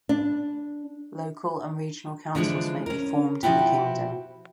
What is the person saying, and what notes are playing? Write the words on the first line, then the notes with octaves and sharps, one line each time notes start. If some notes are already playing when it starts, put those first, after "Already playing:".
Local and regional councils may be formed in the Kingdom.
D4
D3 E3 F3 G#3 D4
C#4 A#4
B2 F3 E4 F#4 G4